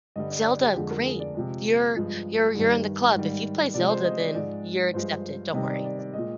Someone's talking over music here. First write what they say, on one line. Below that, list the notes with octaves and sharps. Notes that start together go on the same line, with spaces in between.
Zelda, great. You're you're you're in the club. If you play Zelda, then you're accepted, don't worry.
G2 D3 G3 D#5
D5
D5
G4
F2 D3 F3 G#3 G#4
A#4
G#4
D5
C3 F3 G#3
G2 F3 G#3
G2 D#3 G3
G#2 D#3 G3
C3 F3 G#3 D5
C5
D#5
D5
G#2 F3 G#3 D5
G2 F3 G#3 C5
C3 D#3 G3 D#5
D5
D5
D5
A#2 G#3 D#5